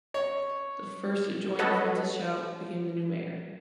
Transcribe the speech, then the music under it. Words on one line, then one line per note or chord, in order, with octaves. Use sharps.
The first adjoint, Francis Chouat, became the new mayor.
C#5
A4 B4 C#5 D#5 F#5